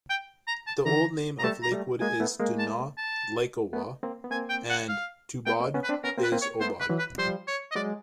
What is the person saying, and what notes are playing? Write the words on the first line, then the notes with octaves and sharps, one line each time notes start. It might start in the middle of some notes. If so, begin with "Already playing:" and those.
The old name of Lakewood is Danaw Likowai and Tubod is Obod.
G5
A#5
A5
D3 E3 A#5
A#5
G3 A3 A5
A#5
G3 A3
G#3 A#3 G#5
A3 B3
G#3 A#3
A5
A5
A3 B3
A#3 C4
B3
A#3 C4 G#5
G5
F#5
F5
A3 B3 G5
A#3 C4
B3 C#4
B4
C4 D4
B3 C#4 A#4
A#3 C4
B4
A#3 C4
C#5
A3 B3 C5
B4
E3 F#3
B4
F3 G3 C5
C#5
D#5
F#3 G#3 D5